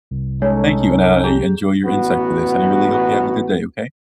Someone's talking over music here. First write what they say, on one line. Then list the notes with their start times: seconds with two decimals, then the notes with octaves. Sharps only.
Thank you, and I enjoy your insight for this, and I really hope you have a good day, okay?
0.11 C2
0.42 G#3 C#4 D#4 A4 C#5
1.24 G4 G#4 A#5
1.84 A1 B3 F#4